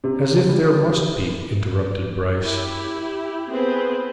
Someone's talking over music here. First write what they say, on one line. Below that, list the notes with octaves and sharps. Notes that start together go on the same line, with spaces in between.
"As if there must be!" interrupted Bryce.
C3
G3
E4 G4
B3 C4 G#4 B4 C5